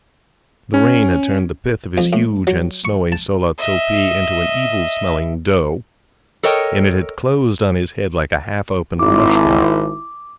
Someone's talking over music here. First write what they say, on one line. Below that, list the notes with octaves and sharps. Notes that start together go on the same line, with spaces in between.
The rain had turned the pith of his huge and snowy solah-topee into an evil-smelling dough, and it had closed on his head like a half-opened mushroom.
C#4
F2
A2
F#3
C#6
A5
D#5 E5
A4 A#4 C#5 D#5 G5
G#1 E4 D6